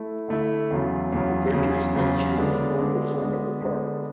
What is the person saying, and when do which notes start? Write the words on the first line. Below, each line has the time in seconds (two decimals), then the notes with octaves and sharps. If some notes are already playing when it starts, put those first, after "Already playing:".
The "Victory" statue is the focal point of the park.
Already playing: A3 E4
0.28 D3 A3 E4
0.70 E2 C#3 F#3
1.12 E2 C#3 F#3
1.53 E2 C#3 F#3
1.95 E2 C#3 F#3
2.36 D3 G#3 B3 D4
2.78 D3 G#3 B3 D4
3.20 D3 G#3 B3 D4
3.62 D3 G#3 B3 D4